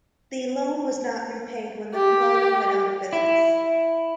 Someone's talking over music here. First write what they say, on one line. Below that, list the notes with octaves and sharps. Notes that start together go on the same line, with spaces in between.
The loan was not repaid when the promoter went out of business.
G4
E4